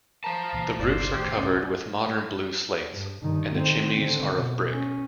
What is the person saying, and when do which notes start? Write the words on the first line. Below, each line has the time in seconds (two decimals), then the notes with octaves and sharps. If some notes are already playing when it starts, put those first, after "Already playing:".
The roofs are covered with modern blue slates, and the chimneys are of brick.
0.24 C5 A5 A#5
0.53 C#2 A#2 E3
0.80 G1 C2 G2 A#2 D5
1.14 A2 D#3 G4
1.37 G1 C2 D3 C#4 D5
2.90 G2
3.21 G2 D#3
3.55 D#3 C4
3.95 D3 C4
4.35 B2
4.71 C#4